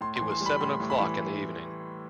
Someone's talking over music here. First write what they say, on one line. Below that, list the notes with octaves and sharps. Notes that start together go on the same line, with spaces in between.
It was seven o'clock in the evening.
A2 C6
C6
E3
C6
G3
B5
A2 C6
A2
B5
E3